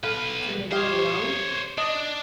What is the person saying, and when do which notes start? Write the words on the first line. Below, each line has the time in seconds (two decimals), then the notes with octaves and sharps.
"But can they do it alone?"
0.04 B1 A4 B4 F5
0.72 G4 C5 C#5 D#5 F5
1.78 D4 D#5